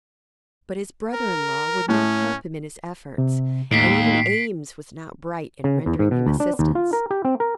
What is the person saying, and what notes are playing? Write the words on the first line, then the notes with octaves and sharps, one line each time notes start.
But his brother-in-law would not help him in his efforts; and even Eames was not bright in rendering him assistance.
A#4
A2 C#4
C3
D#2 A2 B6 C7 D7
C#3
E2
G#2
B2
D2
D4
D#2
F4
A#4
G4
C4
A#4